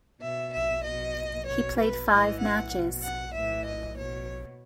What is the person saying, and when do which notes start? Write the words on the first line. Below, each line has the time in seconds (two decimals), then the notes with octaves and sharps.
He played five matches.
0.22 B2 E5
0.54 E5
0.84 B2 D#5
1.47 B2 C#5
1.78 B4
2.09 A2 E3 D#5
2.41 F#5
2.72 B2
3.03 F#5
3.34 A2 E3 E5
3.65 D#5
3.96 B2 C#5